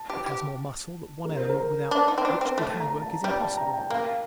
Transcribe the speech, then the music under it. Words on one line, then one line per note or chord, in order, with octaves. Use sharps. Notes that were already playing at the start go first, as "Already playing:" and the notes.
It has more muscle, that one element without which good hand work is impossible.
Already playing: A5
G4
G4
A#4
C5
A#4
D4
D#4
C4
D4
C4
A3 A5
A#5
A5
G3 G5
A5
A#5
G5
A#3 F5